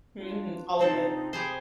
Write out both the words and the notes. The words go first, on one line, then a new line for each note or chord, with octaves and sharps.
mhm, all of it.
D4 F4
C3 C4 D4 D#4 F4 A4
G4 G#4 C5 G5 B5 D#6